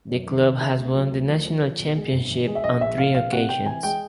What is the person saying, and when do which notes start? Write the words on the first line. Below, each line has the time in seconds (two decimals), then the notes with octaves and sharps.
The club has won the national championship on three occasions.
0.10 F#2
0.26 D#3
0.44 D#3
0.61 C#3 E5
0.78 D2
0.94 F#3
1.12 D2
1.28 F3
1.45 F3
1.62 F3
1.79 B1
1.97 G#3
2.13 G1
2.30 E3
2.47 G#3
2.55 E5
2.64 A#1 D#5
2.81 A#1 E5
2.98 A#1 F5
3.14 A#1 F5
3.32 C3 F#5
3.49 C3 G5
3.66 E3 G#5
3.83 G#3 G5